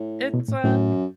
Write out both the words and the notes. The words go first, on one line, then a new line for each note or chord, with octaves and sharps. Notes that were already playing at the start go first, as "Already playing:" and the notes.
it's, uh
Already playing: A2
B2
A2
F#2 A2